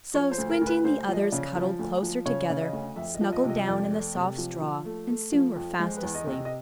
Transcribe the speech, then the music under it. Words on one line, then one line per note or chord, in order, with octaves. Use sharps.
So Squinty and the others cuddled closer together, snuggled down in the soft straw, and soon were fast asleep.
F3 C#5
C5
D2
A#4
D2
B4
D2 C5
F3 D#5
D5
C#3
F3
D2
F3
C#3 C#5
C#3
D#5
D2
F2 E5
D#5
F3
D#5
C3
D#5
F2 D5
A3
C3
F3
F3
A3
A3
F3
F2
G#3 C5
B4
E2
D#5
C3
D#5
D#5